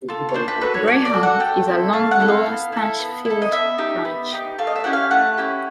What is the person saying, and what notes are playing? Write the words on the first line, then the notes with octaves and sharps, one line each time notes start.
Braham is along Lower Stanchfield Branch.
F4 A4
C#5
D4 C5
B4
F#4 A4 B4
C#5
D4 D5
D5
F#4 A4
F#5
A3 G5
C4 E4 A4
A3 F5
F#5
C4 E4 A4
F5
B3
E4 A4
B3
E4
A4
D#5
B3 E5
D#4 G4
B3
D#4 G4
A3 F5
D#5
E5
C#4 E4 G4 F#5
F5
A3 F#5
C#4 E4 G4